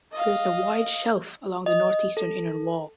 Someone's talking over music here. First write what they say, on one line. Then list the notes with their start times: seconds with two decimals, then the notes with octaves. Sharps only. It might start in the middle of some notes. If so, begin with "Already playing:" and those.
There is a wide shelf along the northeastern inner wall.
0.11 D#5 F5
1.66 D#5
2.17 A4